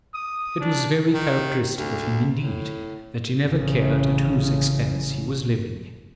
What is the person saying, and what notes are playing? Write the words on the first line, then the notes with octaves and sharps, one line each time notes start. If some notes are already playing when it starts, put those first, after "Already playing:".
It was very characteristic of him, indeed, that he never cared at whose expense he was living.
D#6
D4
D#3
D2
A2
A1 C#3